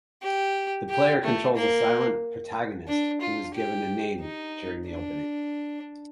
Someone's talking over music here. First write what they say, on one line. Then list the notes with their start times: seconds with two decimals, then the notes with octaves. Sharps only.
The player controls a silent protagonist who is given a name during the opening.
0.23 G4
0.90 G4
1.24 A3
1.56 A#3
2.88 D4
3.22 F4
3.54 G4
4.21 D#4
4.88 D4